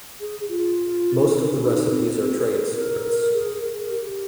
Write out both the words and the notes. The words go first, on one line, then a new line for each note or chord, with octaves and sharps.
Most of the recipes are trade secrets.
G#4
F4
D#4
C4
A#4
G#4
A#4
G4